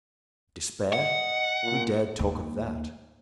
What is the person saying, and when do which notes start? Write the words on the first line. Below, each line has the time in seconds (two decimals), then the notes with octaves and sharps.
Despair! Who dared talk of that?
0.93 D#5 F#5
1.63 A#2
2.19 D#2